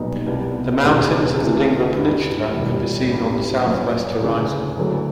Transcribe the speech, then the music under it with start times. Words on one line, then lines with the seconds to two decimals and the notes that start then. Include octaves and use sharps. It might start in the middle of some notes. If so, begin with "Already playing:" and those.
The mountains of the Dingle Peninsula can be seen on the south west horizon.
Already playing: B1 A#2 G3 B3 D#4
0.26 C2 B2 G3
0.83 E1 D#2 C#3 E3
1.39 D2 C3 E3
1.95 G2 E3 G3
2.52 E1 D#2 D#3 G3
3.08 A1 G2 E3 G3
3.65 A#2 F#3 A#3 C#4
4.20 D2 C#3 E3
4.77 D2 D3 F#3